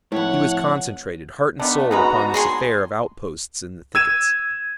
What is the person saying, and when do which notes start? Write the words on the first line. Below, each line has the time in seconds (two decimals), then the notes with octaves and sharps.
He was concentrated, heart and soul, upon this affair of outposts in the thickets.
0.12 F2 A2 E4 C#5 F#5
1.60 D3 D#3 A3 B3 D4
1.91 C#3 G#3 B3 D#4 F#4 B4 A#5
2.34 D#3 F#3 G#4 G#5 C6
3.95 E6 G#6 D#7 E7